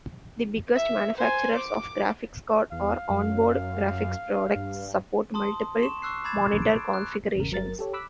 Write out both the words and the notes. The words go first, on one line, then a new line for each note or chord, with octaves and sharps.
The biggest manufacturers of graphics card or on-board graphics products support multiple monitor configurations.
E5
C5 G#5
D6
E2 F5
F#2
G2
A5 C6 D#6
C6 C#6 E7
C#6 D6 E6 F#6 C7
B5 D6 G#6 A6 E7
D7
F#6
G#1 E2 C#3 A#4
G1 F#3 A#4 A6
G4 A4 C#5
B5 D6 E6 F#6 B6